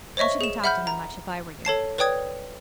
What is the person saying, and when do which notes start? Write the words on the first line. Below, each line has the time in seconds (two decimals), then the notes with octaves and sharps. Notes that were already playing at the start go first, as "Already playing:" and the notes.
I shouldn't talk to him much if I were you.
0.17 C5 C#5 D#5 E5 C#6
0.41 G#4 E7
0.64 E5 F#5 B5 F6 G6
0.87 A#5
1.65 A4 C#5 A5 C7
1.98 B4 C#5 D5 G5 D#6 G#6